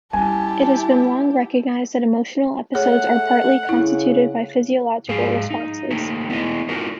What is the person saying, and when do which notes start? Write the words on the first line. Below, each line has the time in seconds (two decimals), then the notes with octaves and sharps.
It has long been recognized that emotional episodes are partly constituted by physiological responses.
0.13 G3 C#4 E4 G4 G#5 A5
2.75 A3 G#4 C#5 F#5
3.69 C#3 E4
5.09 G#2 G#4 F5
5.50 D#4
5.91 A3 A#3 D#4
6.30 B3 E4 G4 D#5 E5
6.69 D#4 F4 F#4 A#4